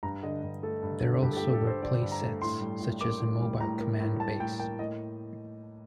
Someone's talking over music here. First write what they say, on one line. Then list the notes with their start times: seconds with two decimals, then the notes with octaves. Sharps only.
There also were play sets such as a mobile command base.
0.03 G2 A#5
0.23 D3 D#5
0.43 G2
0.63 A3 A4
0.83 G2
1.02 D3
1.22 G2 G4
1.32 A4
1.37 G4
1.43 A3
1.53 A4
1.62 G2
1.67 C5
1.82 D3 D5
2.02 G2
2.12 A#5
2.21 A3
2.42 A2 C6
2.61 G3
2.81 A2
3.01 A#3 D6
3.20 A2
3.41 G3
3.60 A2 A#5
3.80 A#3
4.00 A2
4.20 G3 A5
4.40 A2 G5
4.59 A#3 G5
4.79 A2 D#5